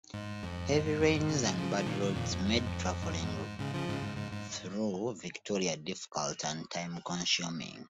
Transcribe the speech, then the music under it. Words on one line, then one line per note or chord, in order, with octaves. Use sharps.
Heavy rains and bad roads made travelling through Victoria difficult and time-consuming.
G#2
F2
G#2
G#2
F2
G#2
C#3
A#2
G#2 C#3
C#3 F3
F3
A#2 D#3
A#2 D#3
F2 A#2
F2
F2
G#2
F2
G#2
F2
G#2
G#2 C#3
C#3 F3
G#2 C#3
G#2
G#2
G#2